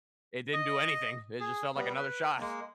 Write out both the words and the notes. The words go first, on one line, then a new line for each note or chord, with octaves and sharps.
it didn't do anything, it just felt like another shot.
D#5
G#4
G3 B3
B4
G#3 A#3